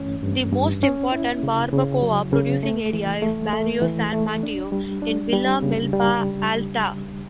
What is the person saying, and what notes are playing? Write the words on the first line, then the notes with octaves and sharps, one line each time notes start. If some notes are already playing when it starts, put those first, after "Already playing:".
The most important barbacoa producing area is Barrio San Mateo in Villa Milpa Alta.
Already playing: G2 E3 A3 C#4
G2
G2
C#4
E4
C#3
C#3
F#3
C#3
A3
E3
A3
A3
E3
A3
D4
G3
D4
G3
C#3
G3